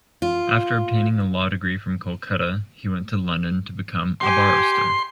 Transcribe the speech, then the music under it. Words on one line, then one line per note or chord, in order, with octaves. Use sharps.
After obtaining a law-degree from Kolkata, he went to London to become a barrister.
F4
G4 G#5 C6